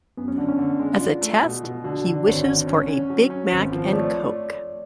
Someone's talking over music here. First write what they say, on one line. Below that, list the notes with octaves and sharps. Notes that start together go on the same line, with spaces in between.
As a test, he wishes for a Big Mac and Coke.
F#2 B3
C#4
D3 D4
C#4
D3
G#3
D4 F4
A3
B2
B2
D3 F#4
D3 D5
G#1 C#5
D3
C#4
C#4
F#3
C#4
G#1
F3
C#5
A3 D5